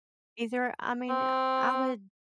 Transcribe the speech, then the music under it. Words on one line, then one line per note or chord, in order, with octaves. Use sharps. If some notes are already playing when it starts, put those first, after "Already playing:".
Either I mean, I I would
C4